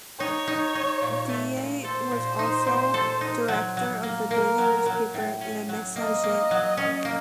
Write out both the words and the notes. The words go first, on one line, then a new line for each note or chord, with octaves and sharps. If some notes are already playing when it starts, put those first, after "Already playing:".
Ndiaye was also director of the daily newspaper "Le Messager".
D#4 C#5
D#4
D#4
A#2
A3
A#2
A4 C5
A#2
D#4
A#2
A4
D#4
F#3
F#3
A#3
A#3 A#4
F#3
F#3
A2
C#4
F#3
A#3 D#5
A#3
F#3
C#4
A#3